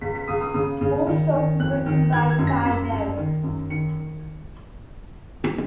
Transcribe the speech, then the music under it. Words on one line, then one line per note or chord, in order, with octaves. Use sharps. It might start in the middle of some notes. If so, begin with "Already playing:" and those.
All songs written by Siberry.
C#2 B6
B6
C#2 D#6
D#6
C#3 D#6
C#3
D#3
D#3
F2 F#6
D#3
D#3 G#6
G#6
F#2
A#6
F#2 B6
F#2
D#3
F#2
D#3 C#7